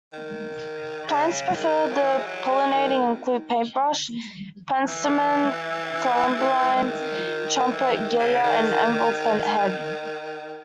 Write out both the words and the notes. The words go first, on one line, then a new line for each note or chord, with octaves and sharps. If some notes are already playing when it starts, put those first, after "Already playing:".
Plants preferred for pollinating include paintbrush, penstemon, columbine, trumpet gilia, and elephant head.
D#3
C#3
D#3
F#3
E3
G#3
F#3
G#3
D#3
E3
D#3
E3
D#3
C#3
D#3